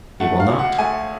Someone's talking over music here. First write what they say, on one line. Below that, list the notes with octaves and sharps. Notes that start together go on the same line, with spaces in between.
He will not.
A3 F#5
F5
D2
F#5
A3 G#5